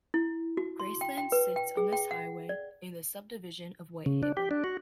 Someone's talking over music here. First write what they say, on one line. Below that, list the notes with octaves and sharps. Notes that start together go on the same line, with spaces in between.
Graceland sits on this highway, in the subdivision of Whitehaven.
E4
F#4
C6
G5
G5
B4
G5
G#4
G5
F#5
D5
C#3
D4
G4
D4
F#4